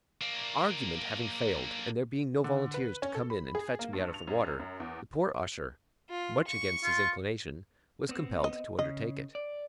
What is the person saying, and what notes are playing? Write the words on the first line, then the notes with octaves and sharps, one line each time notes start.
Argument having failed, and there being no volunteers to come in and fetch me out of the water, the poor usher, much against his inclination, was compelled to undertake it.
A#3 D4
D3
B4
C#4
A4
B5
G#4
A#3
G2
F7
F#2
F#2
E2
F4
C#6
F4
B3 C4
D#5
C#3 D#5
D5